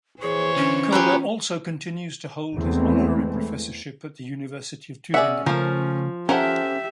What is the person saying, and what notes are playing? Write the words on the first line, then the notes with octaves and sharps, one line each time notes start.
Köhler also continues to hold his honorary professorship at the University of Tübingen..
E3 G#4 C5 C#5
D3 C#4
F4 G4 G#4 B4 A#5
E2 E3 G#3 A3 B3 C4
C#4 G#4 D5 E5 F#5
C#3 F3 A3 A#4 C5
C#4 G4 A4 A#4 C5 E5 F#5